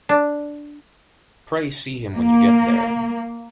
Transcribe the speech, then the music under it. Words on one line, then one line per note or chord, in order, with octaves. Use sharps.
Pray see him when you get there.
D4
A#3